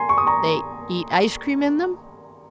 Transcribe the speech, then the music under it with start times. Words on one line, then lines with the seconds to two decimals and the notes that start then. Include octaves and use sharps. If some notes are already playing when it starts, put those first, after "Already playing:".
"They eat ice-cream in them?"
Already playing: G#5 A#5 C6
0.09 C#6
0.18 D#6
0.27 A#5 C#6